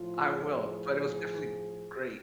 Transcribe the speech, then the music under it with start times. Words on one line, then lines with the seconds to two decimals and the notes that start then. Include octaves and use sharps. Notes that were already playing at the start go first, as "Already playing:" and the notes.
I will, but it was definitely great.
Already playing: A2 F3 F4
0.38 G#4